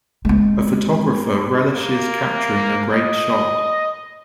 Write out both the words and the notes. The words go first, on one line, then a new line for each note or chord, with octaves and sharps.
A photographer relishes capturing a great shot.
G#3 C4
A#3
D#5